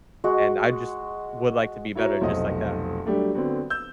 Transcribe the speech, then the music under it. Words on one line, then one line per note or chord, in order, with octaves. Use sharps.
and I just would like to be better just like that.
G#3 F#4
E4 F#4 C#5 E5 A#5
F1 B1 C5 D#5 D#6
F#3 G3 A3 D4 F#4 G4
D3 B3 C4 F#4
E6 G6